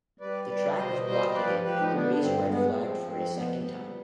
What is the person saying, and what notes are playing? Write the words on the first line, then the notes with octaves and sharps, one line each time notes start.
The track was blocked again and the race red flagged for a second time.
G3 B4 D5
G3 B4 D5
B2 C5 D#5
G3 C5 D#5
C5
F3 B4 D5
F3 G4 B4
D#4
D3 B3 D4
G2 C4
G#3 B3
F3 C4
F2 C4
F3 B3
G3